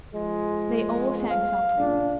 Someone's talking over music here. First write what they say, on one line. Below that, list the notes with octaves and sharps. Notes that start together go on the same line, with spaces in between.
They all sang something.
F3 G#3
F5
A#2 C#3 D4